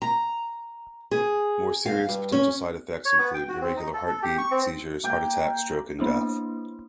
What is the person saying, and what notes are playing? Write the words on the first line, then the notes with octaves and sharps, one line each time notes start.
More serious potential side effects include irregular heartbeat, seizures, heart attack, stroke, and death.
A#5
G#4
F5
G2
C#4
C#5
B3
G5
F#4
C4
D#4
A4
A4
G4
C#6
C4
A#3 G5
A#3 B3 D4 E4